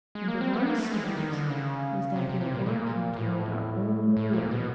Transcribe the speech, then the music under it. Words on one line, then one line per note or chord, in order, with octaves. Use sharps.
And the worst of it is that we are working toward our own ruin.
G#3
A#3
C4
B3
A#3
A3
G#3
G3
D#3
D3
C#3
C3
C3
C3
A#2
A#2
A2
A2
A#2
B2